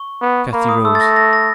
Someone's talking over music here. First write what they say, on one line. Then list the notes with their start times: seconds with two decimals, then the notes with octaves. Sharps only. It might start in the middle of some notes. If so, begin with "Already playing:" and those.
Cathy rose.
Already playing: C#6
0.21 B3
0.53 A#3 B5
0.69 D#6
0.84 A3 E6
0.95 A6
1.01 A#6
1.16 A#6
1.33 A#6